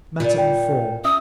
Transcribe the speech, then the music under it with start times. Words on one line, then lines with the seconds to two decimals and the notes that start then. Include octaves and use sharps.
Matter and Form.
0.20 A#2 F4
0.38 G5
1.05 C#4 E5 D#6 E6